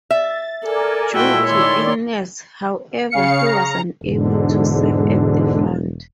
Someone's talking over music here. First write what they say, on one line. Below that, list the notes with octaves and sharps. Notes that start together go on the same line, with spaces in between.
Due to illness, however, he was unable to serve at the front.
E5 A6
A4 A#4 D5 G#5
A#2 G#3 A3 E4 F#4 G5 E6
D#3 C#5 D5 C6
C#3 F5 C#7
A#5
E1 G#2 D3